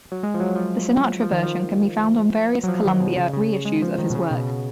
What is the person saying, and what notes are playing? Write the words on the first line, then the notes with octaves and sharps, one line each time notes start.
The Sinatra version can be found on various Columbia re-issues of his work.
F#3
G#3
F3
F#3
F3
F3
D#3
F3
F#3
F3
D#3
B2
C#3
C#3
G#3
F3
D#3
B2
C#3
B2
B2